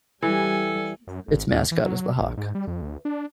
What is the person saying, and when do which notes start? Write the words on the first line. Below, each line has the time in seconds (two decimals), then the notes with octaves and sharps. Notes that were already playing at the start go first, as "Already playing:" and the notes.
Its mascot is the Hawk.
0.23 E3 G3 A4 G#5
1.07 F#2
1.28 G#1
1.51 D#2
1.72 E3
1.84 F#3
2.20 A#1
2.37 G#2
2.55 G3
2.67 F2
2.81 D2
3.05 D4